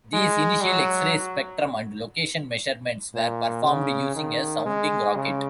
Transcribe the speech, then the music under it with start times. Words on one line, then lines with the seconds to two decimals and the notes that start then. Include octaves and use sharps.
These initial X-ray spectrum and location measurements were performed using a sounding rocket.
0.13 G#3
0.64 F#3
3.15 A#2
3.65 C#3
4.15 D#3
4.65 G#3
5.16 C#3